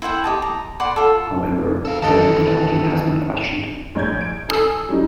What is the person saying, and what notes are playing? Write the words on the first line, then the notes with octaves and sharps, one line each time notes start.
However, their methodology has been questioned.
E4 C5 F#5 G5
G4 D#5 A5
A#5
D5 F#5 B5 C6
F4 A4
A4 F5
D#3 E3 A4 D#5 A5
A#1 C#5 G6 G#6
D7
A4 G#5 D#6 E6
F#3 G3 C#4 D#4